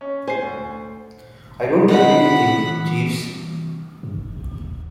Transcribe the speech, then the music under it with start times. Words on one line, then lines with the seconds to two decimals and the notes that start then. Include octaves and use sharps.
I don't agree with you, Jeeves.
0.01 C#4
0.27 C5 G#5 C7
0.42 D2
1.88 C3 B3 D#4 F4 F#5 B5
4.03 G2
4.17 F1
4.35 A#1
4.52 D#2
4.65 D#1